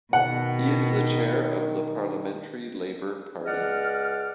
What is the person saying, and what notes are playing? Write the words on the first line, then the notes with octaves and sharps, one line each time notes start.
He is the Chair of the Parliamentary Labour Party.
B2 D#3 F#5
C#2 G#3 D5 D#5 F#5 F6